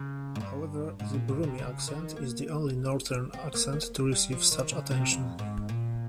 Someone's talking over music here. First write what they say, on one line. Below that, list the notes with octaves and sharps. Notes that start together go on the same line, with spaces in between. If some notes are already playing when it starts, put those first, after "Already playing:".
However, the Brummie accent is the only 'northern' accent to receive such attention.
Already playing: C#3
G#2
G2
G#2
A#2
G#2
C3
C#3
D#3
A#3
C4
A#3
A#3
G3
F3
D#3
C#3
C3
F2
G#2
A#2